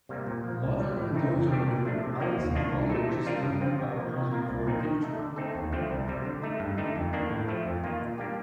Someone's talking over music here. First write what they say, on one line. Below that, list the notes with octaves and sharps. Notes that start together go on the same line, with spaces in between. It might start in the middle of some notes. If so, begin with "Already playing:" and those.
Mother and daughter wearing Alice in wonderland customs are posing for a picture.
C3 G3 A#3
A#2
F3 A#3
C2
C3 G3
A2
A3 C4 D#4 A#4
F2
D#3 G3 D4 G4
A#2
F3 A3 D4
C3
F3 A#3
D#2
D#3 A#3 D4 F4
C2
A#2 A3 D#4 A4
C3
G3 D4 F4 A#4
G2
F3 C4 F4
C3
F3 A#3
D#3
A#3 F4 A#4
C2
A#2 F3 C4 D#4
D#3
A3 D#4 A4
D3
A3 C4 D#4 A4
D#2
D3 F3 A3 C4
C2
C3 G3
D3
A3 D#4
G2
D3 A3 D#4
F2
D#3 A#3 D4
A2
F3 A3
F2
D#3 A#3 F4
A#2
G3 A#3 D4 G4